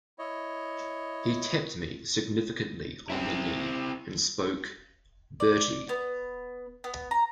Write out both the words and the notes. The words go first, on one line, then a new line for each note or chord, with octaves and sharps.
He tapped me significantly on the knee and spoke: "Bertie."
E4 C#5 D#5
C4 E4
D5
B3
B3
A#5